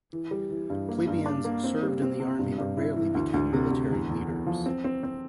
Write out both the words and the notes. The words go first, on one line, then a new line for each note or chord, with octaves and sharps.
Plebeians served in the army, but rarely became military leaders.
E3
G3
E3
G2
A#3
G2
D4
A#3
C4
G3
C4
C3
G2
G2
E4
E3
D2
D2
C3
D2
E2
E2
E2
F3
C4
C4
C4